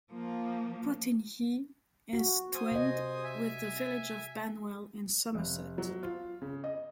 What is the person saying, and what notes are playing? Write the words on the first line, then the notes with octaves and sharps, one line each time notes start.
Potigny is twinned with the village of Banwell in Somerset.
F3 A#3
F#4
C5 G#5 D#6
C3 D#5
E5 G#5
F1
F#3
F4
C#3
D#5